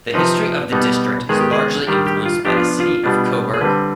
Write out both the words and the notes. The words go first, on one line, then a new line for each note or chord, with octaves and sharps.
The history of the district is largely influenced by the city of Coburg.
C3 F3 C4 D#4 B4
B2 G3 B3 D#4
D#3 G#3 B3 G#4
G4
G#4
D#3 G3 D4 G4
G4
F4
F3 B3 D4 G4
F4
F4
B2 G3 B3 D4
G#4
D3 G3 C4 B4